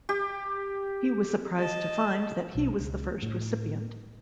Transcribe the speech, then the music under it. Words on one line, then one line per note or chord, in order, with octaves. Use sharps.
He was surprised to find that he was the first recipient.
G4
D#5 A5
B1
C#2
A2